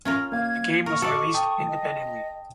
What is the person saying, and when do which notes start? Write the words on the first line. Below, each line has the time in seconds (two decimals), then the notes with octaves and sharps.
The game was released independently.
0.05 C#4 F4 A#4
0.32 A#3 F5 G#6
0.86 A#4 C#6
1.02 F#4 A4 D5 D#5 F5
1.34 G5 A5 D#6
1.69 D#5